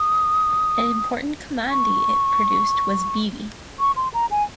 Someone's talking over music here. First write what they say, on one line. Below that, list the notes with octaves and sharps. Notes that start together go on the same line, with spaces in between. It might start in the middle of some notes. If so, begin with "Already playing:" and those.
An important commodity it produced was beedi.
Already playing: D#6
C#6
C#6
C6
A#5
G#5